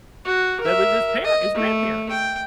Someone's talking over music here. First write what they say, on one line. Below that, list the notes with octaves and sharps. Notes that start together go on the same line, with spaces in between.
That was his parent his grandparents.
F#4
A#4 E5
D#5
A3
G5